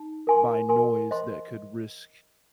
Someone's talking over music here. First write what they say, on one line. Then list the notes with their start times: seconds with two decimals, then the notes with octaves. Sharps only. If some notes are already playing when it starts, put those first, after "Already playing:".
by noise that could risk
Already playing: D#4
0.27 A#4 G#5 C6
0.69 A#4 G#5 C6
1.11 C5 D#5 C6